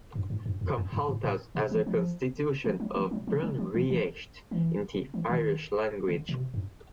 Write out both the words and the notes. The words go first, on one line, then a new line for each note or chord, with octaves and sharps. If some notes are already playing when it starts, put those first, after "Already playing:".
Comhaltas has a constitution or "Bunreacht" in the Irish language.
F#2
G2
F#2
E2
F2
G2
G#2
A2
B2
E3
F3
F3
F#3
F3
F#3
F3
F#3
F3
E3
E3
E3
E3
D#3
D3
B2
C3
F#2